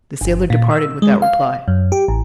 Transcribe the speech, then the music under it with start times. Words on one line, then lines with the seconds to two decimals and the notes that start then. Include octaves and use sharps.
The sailor departed without reply.
0.21 G1
0.50 A#2
0.71 E6
1.02 G#3
1.22 F5
1.68 F#2
1.92 G4
2.08 A1